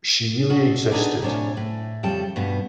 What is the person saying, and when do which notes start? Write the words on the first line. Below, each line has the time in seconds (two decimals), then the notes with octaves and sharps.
She really existed.
0.50 F#4 A4 D5 D#5
0.91 B3 D4 D#4 G4 G#4
1.22 A2 C3 D4 C#5 G#5
1.57 A2
2.03 F2 C#3 G3 A4 G5 A5
2.36 G2 B2 B3